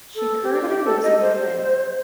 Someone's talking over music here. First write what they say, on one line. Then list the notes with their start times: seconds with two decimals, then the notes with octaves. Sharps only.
She currently lives in Berlin.
0.15 A4
0.43 G4
0.62 F4
0.68 G4
0.85 A4
1.03 D#5
1.21 C5